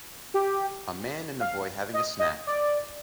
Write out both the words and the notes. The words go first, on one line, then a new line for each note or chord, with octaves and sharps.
A man and a boy having a snack.
G4
F5
D#5
D#5
D5